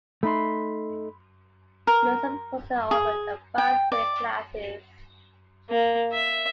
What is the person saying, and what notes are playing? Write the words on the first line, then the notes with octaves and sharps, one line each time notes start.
Most of the courses offered are five-day classes.
A3 D#4 B5 C6
A#4
G#4
G5
D5
A#3
E5